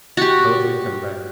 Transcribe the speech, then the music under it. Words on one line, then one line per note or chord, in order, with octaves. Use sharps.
"Told you he'd come back."
F#4 G4